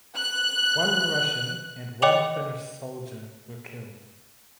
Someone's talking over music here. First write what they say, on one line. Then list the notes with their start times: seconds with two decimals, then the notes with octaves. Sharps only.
One Russian and one Finnish soldier were killed.
0.16 F#6
2.02 C#5 D#5 G5 D6 F7 F#7